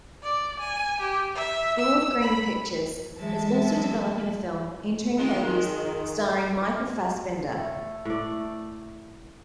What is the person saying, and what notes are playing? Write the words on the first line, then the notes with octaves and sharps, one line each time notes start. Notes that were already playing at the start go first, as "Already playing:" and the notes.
Broad Green Pictures is also developing a film "Entering Hades" starring Michael Fassbender.
D5
G#5
G4
E5
E6
B5
E3 F#3 G#3 E5 A5
D#3 F3 G#3 F4
A3
A2 D5